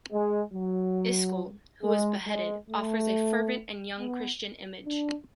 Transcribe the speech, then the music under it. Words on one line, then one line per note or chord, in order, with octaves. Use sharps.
Iscle, who was beheaded, offers a fervent and young Christian image.
G#3
F#3
G#3
G#3
A3
B3
D4